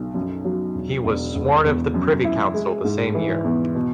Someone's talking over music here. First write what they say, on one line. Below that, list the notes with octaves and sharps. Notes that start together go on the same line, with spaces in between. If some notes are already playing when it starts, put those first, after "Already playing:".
He was sworn of the Privy Council the same year.
Already playing: B1
F#2
F#3
E1
E1
E1
E2
F#2
E4
G#3
G#2
E3
E2
B2